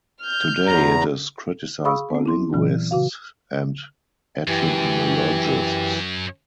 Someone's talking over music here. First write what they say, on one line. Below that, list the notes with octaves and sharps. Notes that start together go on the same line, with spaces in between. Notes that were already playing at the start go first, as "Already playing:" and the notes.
Today it is criticized by linguists and etymologists.
F6 G6
E2 A#5
G#4 F5 B5 C#6 D#6 E6
B3 C4
E4 C6
A#2 E3 F#3
C#3 F#4 F5
F#2 E3 G4